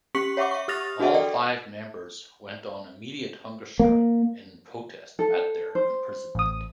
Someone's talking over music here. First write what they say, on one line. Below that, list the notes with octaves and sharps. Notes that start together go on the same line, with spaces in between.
All five members went on immediate hunger strike in protest at their imprisonment.
C#4 G4 C#6 B6 C#7 F#7
C#5 E5 F#5 C#6 D6
E5 C#6
G4 D#6 F6 A6 A#6 F7
D4 F#4 G#4 D#5 E5 F#5
A4 D5 G5
A#3
A4
C5
A1 D#6